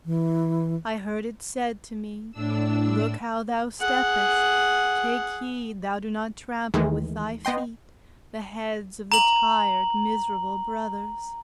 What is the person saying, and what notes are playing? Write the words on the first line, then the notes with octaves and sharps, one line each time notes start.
I heard it said to me: "Look how thou steppest! Take heed thou do not trample with thy feet The heads of the tired, miserable brothers!"
E3
A2 D4 E6
G#4 F#5
D#2 D#3 E3 G#3 A3
B3 D#5 G5 C6
A#5 F#7